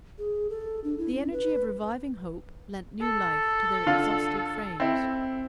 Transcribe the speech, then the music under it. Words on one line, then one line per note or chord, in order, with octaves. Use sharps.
The energy of reviving hope lent new life to their exhausted frames.
G#4
A4
D4
E4
C#4
B4
A4
D3 F4 F5
C4 E4